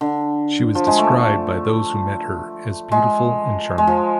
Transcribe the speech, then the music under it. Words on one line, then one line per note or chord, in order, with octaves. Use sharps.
She was described by those who met her as beautiful and charming.
D3
F3
G#3
A3
G#3
G#3
F3